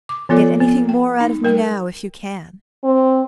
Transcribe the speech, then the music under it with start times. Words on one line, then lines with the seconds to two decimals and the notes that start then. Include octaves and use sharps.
Get anything more out of me now, if you can.
0.09 D6
0.29 F3 B3 F4 A4 D5 D6
0.60 B3
0.89 G5
1.20 D#4
1.44 G3 A#4 G5
2.84 C4